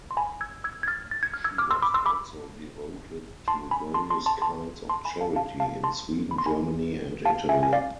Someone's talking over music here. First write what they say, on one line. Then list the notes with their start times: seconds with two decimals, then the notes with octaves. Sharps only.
She was also devoted to various kinds of charity, in Sweden, Germany and Italy.
0.11 C6
0.17 G#5 B5
0.41 E6 G#6
0.64 E6 G#6
0.83 G#6
0.88 F6 A6
1.11 A6
1.23 G#6
1.34 F6
1.44 E6 G#6
1.58 D6 F6
1.71 C6 E6
1.82 B5 D6
1.94 C6 E6
2.06 B5 D6
3.48 A5 C6
3.71 G#5 B5
3.94 A5 C6
4.10 A5 C6
4.26 A5 C6
4.42 A5 C6
4.89 A5 C6
5.05 G#5 B5
5.21 F5 A5
5.36 F5 A5
5.60 F5 A5
5.84 A5 C6
6.31 B5
6.38 C6
6.46 G#5 B5
7.25 F5 A5
7.49 E5 G#5
7.63 G#5
7.73 D5 F5